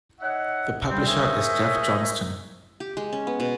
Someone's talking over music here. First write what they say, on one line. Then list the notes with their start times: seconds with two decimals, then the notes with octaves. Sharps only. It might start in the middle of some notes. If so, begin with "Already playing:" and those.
The publisher is Jeff Johnston.
0.21 D#4 C#5 D#5 E5 F#5
0.88 G3 C4
1.07 G#4 A#4 C5 C#5 D#5 E5
2.80 G4
2.97 G#3
3.13 C#4
3.27 B3
3.40 B2